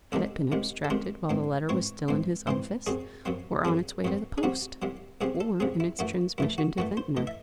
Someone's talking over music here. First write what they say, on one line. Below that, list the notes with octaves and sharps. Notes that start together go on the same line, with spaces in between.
Had it been abstracted while the letter was still in his office?--or on its way to the post?--or in its transmission to Ventnor?
C2 C3 D#3 G#3 A4
C2 C3 D#3 G#3
A4
C2 C3 D#3 G#3 C5
G#2 E3 C4
G#2 E3 C4 C#5
G#2 E3 C4
G#2 E3 C4 C5
F#2 C#3 F#3 C4 G#4
F#2 C#3 F#3 C4
F#2 C#3 F#3 C4 G#4
F#2 C#3 F#3 C4
G#4
C2 C3 F#3 C4 F#4
C2 C3 F#3 C4
C2 C3 F#3 C4 G#4
A4
C2 C3 F#3 C4 G#4
E4
F#2 E3 A3 F#4
F#2 E3 A3 E4
F#4
F#2 E3 A3 F#4
C5
E3 A3 D#5
E5